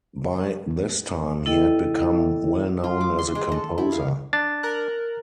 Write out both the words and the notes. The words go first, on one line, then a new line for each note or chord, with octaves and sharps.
By this time he had become well known as a composer.
E4 A4 D#5 G5
F4
D6
C6
G#3
A4
E4
F5
D4 A6
A#4 F#6